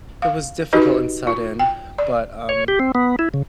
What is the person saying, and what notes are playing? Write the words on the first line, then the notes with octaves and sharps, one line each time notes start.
it was difficult and sudden, but, um
F5
D#4 F#4 G4 B4 D#5
F4
G5
D5
C#5
G4
C4
B3
E4
C#3